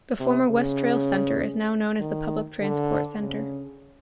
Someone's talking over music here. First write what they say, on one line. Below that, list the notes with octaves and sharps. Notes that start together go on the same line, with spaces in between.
The former Westrail Centre is now known as the Public Transport Centre.
C3
C#3
D#3
D3
C#3